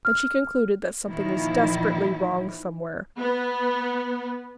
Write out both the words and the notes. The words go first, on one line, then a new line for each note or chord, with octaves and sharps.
Then she concluded that something was desperately wrong somewhere.
F6
A#2 D#3 F3 E4
B3